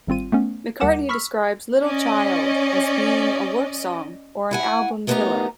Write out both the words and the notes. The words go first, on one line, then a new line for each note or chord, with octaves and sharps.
McCartney describes "Little Child" as being a "work song", or an "album filler".
G#1 G3 C4 F4 D#7
A3 B3 C#4
D#2 G3 A#4 F#5 D6 E7
B5 C#6 E6 F6 B6
C#4 D5 D#5
E4 F#5 G#5
A3 B3 D#4 G4 A#4 A#5